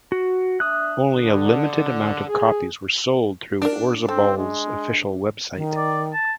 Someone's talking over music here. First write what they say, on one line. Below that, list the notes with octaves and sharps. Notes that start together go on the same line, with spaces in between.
Only a limited amount of copies were sold through Orzabal's official website.
F#4
D4 E5 D#6 F#6
D3
G#4
D4 A#4 D5
C4 A4
G#3
D#3
D5
A5